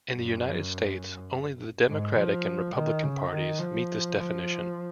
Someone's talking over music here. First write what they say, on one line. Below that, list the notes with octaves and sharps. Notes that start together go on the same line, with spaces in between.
In the United States, only the Democratic and Republican parties meet this definition.
F#2
G#2
F3
D#3
C#3
D#3
F3
F3